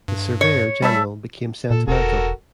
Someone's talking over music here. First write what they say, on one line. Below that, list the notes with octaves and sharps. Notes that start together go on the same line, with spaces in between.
The Surveyor-General became sentimental.
G2
C#5
G3 E5 A5 B5
A#2 A4
E1 F#4 A4 A#4